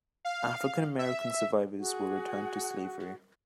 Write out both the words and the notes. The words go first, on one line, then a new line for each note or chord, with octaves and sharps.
African-American survivors were returned to slavery.
F5
E5
F#4 G#4 F#5